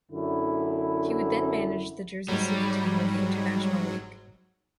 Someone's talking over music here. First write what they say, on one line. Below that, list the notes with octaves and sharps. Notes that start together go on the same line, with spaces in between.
He would then manage the Jersey City team of the International League.
F#2 D3 E4
G#2 F#3 G3